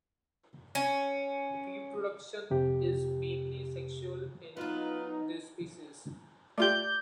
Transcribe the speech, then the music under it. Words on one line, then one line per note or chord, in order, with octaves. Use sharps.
Reproduction is mainly sexual in this species.
C#4
F2 C3 G4
F#3 B3 D#4 F4 B4
A3 F4 G4 D5 G6